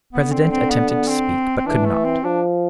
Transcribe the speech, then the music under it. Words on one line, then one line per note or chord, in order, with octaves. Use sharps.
The president attempted to speak, but could not.
B3
D3
C4
C4
B3
B3
C4
C4
E3 D4
A3
C4
F3 D4